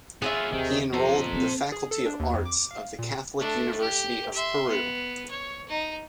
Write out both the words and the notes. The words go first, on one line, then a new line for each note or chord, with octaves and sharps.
He enrolled the Faculty of Arts of the Catholic University of Peru.
B3 F4 G#4 C#5 E5
D#2 C3 D#3
F2 A4 C5 A#5
A#3 C4
G#4
A4
D4
D#2
F2
D6
F5
A#2
A3 D4
G4
E5 C6
B3
C#5
D#4